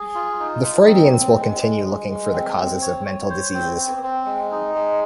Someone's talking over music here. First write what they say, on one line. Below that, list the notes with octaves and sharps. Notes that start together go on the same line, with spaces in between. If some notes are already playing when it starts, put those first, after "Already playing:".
The Freudians will continue looking for the causes of mental diseases.
Already playing: G#4
F4
D#4
D#4
C4
C4
G#3
G#3
G#3
G#3
C4
C4
C#5
C#5
C5
C4
C4
C4
G#3
D#4
G#3